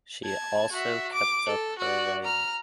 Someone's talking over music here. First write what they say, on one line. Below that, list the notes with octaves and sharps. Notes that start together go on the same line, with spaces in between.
She also kept up her writing.
A5 G#6
F#4 E5
D6
A4
F#4 D5
A#5 F6